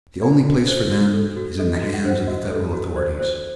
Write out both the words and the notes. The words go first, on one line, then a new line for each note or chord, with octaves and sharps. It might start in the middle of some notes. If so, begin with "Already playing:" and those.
"The only place for them is in the hands of the federal authorities."
A4 D5
F#4
C5
F#4
A4
F#4
A4 D#5
D#5
F#4
F#5
C5
F#5
F#4 D#5
A4
F#4
C5 D5
C5